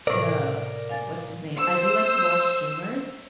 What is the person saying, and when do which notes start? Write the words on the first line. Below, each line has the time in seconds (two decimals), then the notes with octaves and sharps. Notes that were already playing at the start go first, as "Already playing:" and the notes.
uh, what's his name? I do like to watch streamers.
0.07 A2 C3 A#4 D5
0.89 F5 G#5 A6
1.57 C5 E6